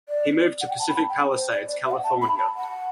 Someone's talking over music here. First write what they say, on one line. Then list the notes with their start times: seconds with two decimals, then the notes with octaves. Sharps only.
He moved to Pacific Palisades, California.
0.09 D5
0.61 F#5
0.70 G5
0.79 A5
0.88 B5
0.97 A5
1.09 G5
1.32 C5
1.50 D5
1.68 D5
1.85 E5
1.91 F#5
2.04 A5
2.22 B5
2.39 A5
2.57 F#5